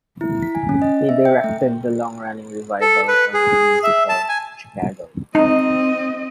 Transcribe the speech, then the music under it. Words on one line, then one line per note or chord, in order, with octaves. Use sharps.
He directed the long-running revival of the musical Chicago.
E4
B6
G#5
C#4
D#5
E5
G5
A3
A4
B4
G#4
E5
A5
G#5
C4 D#4 D#5